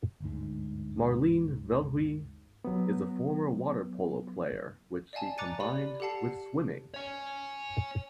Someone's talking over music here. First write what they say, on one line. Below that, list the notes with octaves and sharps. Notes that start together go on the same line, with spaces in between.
Marleen Veldhuis is a former water polo player which she combined with swimming.
G1 D2 G#2
F#3 B3
D5 D#5 F5 G#5 A5
A#5 D6 F#6 A6 C#7 D#7
G4 D5 B5
G4 A4 F#5 A5 C7
C#5 G#5